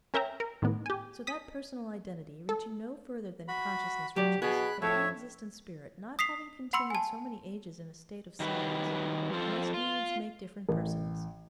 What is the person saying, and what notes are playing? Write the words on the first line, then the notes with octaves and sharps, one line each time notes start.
So that personal identity, reaching no further than consciousness reaches, a pre-existent spirit not having continued so many ages in a state of silence, must needs make different persons.
C#4 A#4 E5 G5 A#5
A#4
A2 D#3 B3
G4 G#5
D#6 B6
A4
F#4 B5
F#3 G4 D5
B2 G#4 B5 F#6
F2 A2 C#5 E5
D#6 B6 C7 F7
F#5 B5 C6 E6 C#7
G#5 A5
D#3 F#3 G3 B4
F2 F3 F4 A4 C5
F4
A1